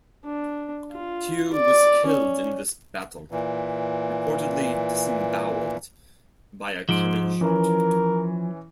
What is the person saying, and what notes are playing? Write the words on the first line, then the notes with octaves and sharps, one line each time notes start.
Tew was killed in this battle, reportedly disemboweled by a cannon shot.
D4
F4
D5
C#4
A#2 E3
G#2 F3 D7
E3 C#4 A#4